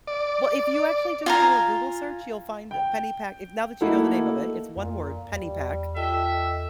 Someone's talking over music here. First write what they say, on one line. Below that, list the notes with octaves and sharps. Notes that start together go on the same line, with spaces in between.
well, if you actually just do a Google search, you'll find Pennypack, if now that you know the name of it, it's one word, Pennypack.
D5
F4 G#5 A#5
G5
A3 A#3 D#4 E4 F#4 A4
F2 A#2
E2 G3
F4 A4 D#5 E5 G5